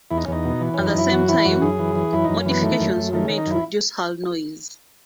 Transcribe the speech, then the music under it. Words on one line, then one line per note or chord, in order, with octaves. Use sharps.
At the same time modifications were made to reduce hull noise.
E2 E4
D#4
C#4
E2 D#4
B2
E3
F#2 C#4
D#4
F#2 E4
E3 F#4
E3 E4
F#2 F#4
F#2 G#4
E3
E3
F#2 E4
F#2 D#4
C#4
E3 B3
D#3 A3
F#2
F#2
D#3 A3
D#3 C#4
D#4
F#2 E4